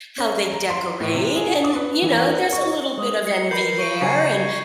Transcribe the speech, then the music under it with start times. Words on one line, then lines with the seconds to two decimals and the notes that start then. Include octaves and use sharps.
how they decorate, and, you know, there's a little bit of envy there and
0.18 C#4
0.52 A#5
0.70 C6
1.01 A2
1.15 C3
1.36 G#4
1.64 D#6
1.76 B4
2.02 E3
2.15 C#5
2.32 A#4
2.53 C#6
2.98 G#3
3.27 C#7
3.51 A#4 B4 G6 C7 F#7
3.79 C#6 D#7
4.01 C#3 F#3 F#4 G#5 C#6 G#6 C7